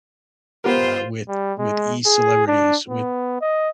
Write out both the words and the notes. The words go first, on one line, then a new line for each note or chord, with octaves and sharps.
uh, with with e-celebrities, with
B3 F4 G4 A#4 C5
G3
G#3
G#4
D4
B3
D#5